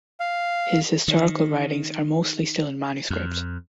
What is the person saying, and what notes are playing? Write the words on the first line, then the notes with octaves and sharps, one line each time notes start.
His historical writings are mostly still in manuscript.
F5
D#3
F2